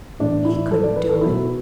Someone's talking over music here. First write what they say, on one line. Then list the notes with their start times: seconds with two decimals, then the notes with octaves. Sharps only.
He couldn't do it.
0.19 A2 E3 B3 D4
0.45 E4
0.71 A4
0.83 D5
0.96 B4
1.09 A4
1.21 B2 F#3 B3 E4